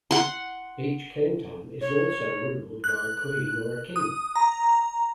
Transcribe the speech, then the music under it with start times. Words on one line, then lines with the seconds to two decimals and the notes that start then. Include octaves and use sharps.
Each canton is also ruled by a queen or a king.
0.11 F#5 C6
1.81 C#5
2.84 F#6
3.96 D#6
4.36 A#5